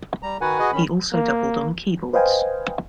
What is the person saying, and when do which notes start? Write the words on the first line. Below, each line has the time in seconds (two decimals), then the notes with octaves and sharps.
He also doubled on keyboards.
0.23 G3 A#5
0.41 D#3 D#4 F#4 B4 F#5 G#5
0.59 F#4 G#4 D#5
0.73 D#3 C#4 B5
1.13 A#3
2.13 B4 C5 D#5 F5 G5 G#5